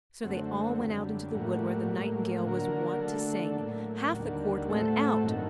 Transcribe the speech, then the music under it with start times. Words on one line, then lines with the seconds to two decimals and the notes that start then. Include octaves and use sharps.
So they all went out into the wood where the Nightingale was wont to sing; half the court went out.
0.23 F#2 D3 A3 C4 F#4
0.78 F#2 D3 G3
1.34 A2 G3 A#3 F#4
1.89 A2 F#3 A#3
2.45 D3 F#3 A#3 F#4 A#4
3.01 D3 A3 D4 F#4 A4
3.56 A2 F#3 A#3
4.12 D#2 D3 G3 A#3 F#4
4.68 A2 A3 C4 F#4 A4
5.23 G2 D#3 F#3 A#3 F#4